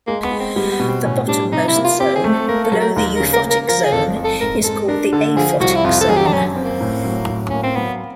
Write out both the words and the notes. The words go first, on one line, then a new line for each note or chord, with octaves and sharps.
The bottommost zone, below the euphotic zone, is called the aphotic zone.
G#3 A#3
B3
G#3
C4
G3 B3
B3
B2
C4
A2 C#4
G3 D4
C3 D#4
E4
A#3
F4
C4 G4
G#4
A3
A4
A#3 A#4
A4
F#3
A#4
D#2 A#4
A#4
C#3
A#4
A#3
A#4
F3 A#4
G#4
F2 A4
F2
A4
G#2 A#4
G#3 A4
D4 A#4
D3 A4
F3 G#4
C2 F#4
E4
F2 F4
A4
F#3 G#4
G4
D4
F#2 C#4
C4
A#3
A2
F#3
A2
A#3 C#4
C4
F#3 B3